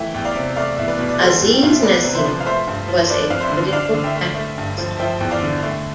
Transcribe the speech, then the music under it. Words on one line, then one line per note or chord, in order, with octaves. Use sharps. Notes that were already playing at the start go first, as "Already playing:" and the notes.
Aziz Nesin was a political activist.
Already playing: E3 A3 E5 G5
E2 G5
D5 F5
C3
A3 D5 F5
E2 E5
B4 D5
B2
D5
G3 A4 C5
E2
G5
B2 F5
E5
B3 B4 D5
C3
C5 E5
F3
F5
A3 C5 E5
G2
F3
F3 B4 D5
F2 F5
C5 E5
D3
D4 D5 F5
D3
E5 G5
A3
A3
G2
F3
F3 E5 G5
E2 G5
D5 F5
D3
A3